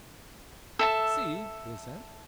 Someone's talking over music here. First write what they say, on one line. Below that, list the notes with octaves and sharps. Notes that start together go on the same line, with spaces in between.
"See!" they said.
A4 E5 A5